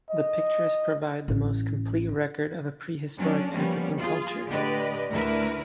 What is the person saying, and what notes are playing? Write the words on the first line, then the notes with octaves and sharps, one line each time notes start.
The pictures provide the most complete record of a prehistoric African culture.
D#5
A1
F#3 C#4 D4
F3 G3 A#3 B3 C#4
F4 G#4
A2 D3 G4 B4 D5 D#5
D2 D3 A3 E4 A#4 B4